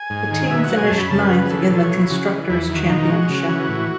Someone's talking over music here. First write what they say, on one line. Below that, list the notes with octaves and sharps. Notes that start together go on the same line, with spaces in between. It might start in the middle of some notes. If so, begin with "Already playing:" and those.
The team finished ninth in the Constructors' Championship.
Already playing: G#5
G#2
D#3
B2 E5
F#5
F#3
G#5
F#2 A5
B5
C#3 A5
B4
C#3 B4
E3 A4
B2 A4
C#5
F#3
E4
C#3 F#4
E3
E2 E4
E4
D#3
F#4
B2 D#4
G#3 F#4
C#3
E3
A2